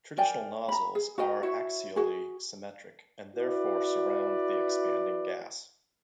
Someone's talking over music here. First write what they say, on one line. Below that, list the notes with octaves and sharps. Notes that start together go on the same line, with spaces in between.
Traditional nozzles are axially symmetric, and therefore surround the expanding gas.
A#4 D5 G5 G#5
A#5 B5
G#4
F#4 A#4 D#5 G5
E4 F#4 C#5
F#4 G#4
E4 F#4 B4 D5